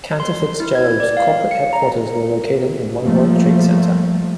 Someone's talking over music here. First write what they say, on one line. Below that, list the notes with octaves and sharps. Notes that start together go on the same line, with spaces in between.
Cantor Fitzgerald's corporate headquarters were located in One World Trade Center.
C6
E4
G#6
D5
F5
C#7
A#5
F3 G3 A3 A#3